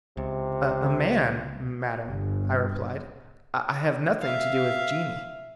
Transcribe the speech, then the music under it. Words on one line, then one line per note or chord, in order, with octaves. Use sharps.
"A man, madam," I replied; "I have nothing to do with genii."
C#2 C3
G1
E5 F5